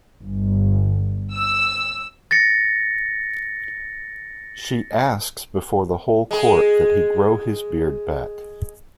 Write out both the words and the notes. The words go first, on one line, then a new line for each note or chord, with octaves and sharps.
She asks before the whole court that he grow his beard back.
G1
E6
A6 A#6 C#7
G#3 G#4